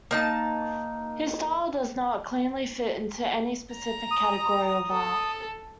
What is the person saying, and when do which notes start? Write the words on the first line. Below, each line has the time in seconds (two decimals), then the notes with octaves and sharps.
His style does not cleanly fit into any specific category of art.
0.11 A#3 D#4 A5
3.74 A#5
4.11 D#6
4.92 A4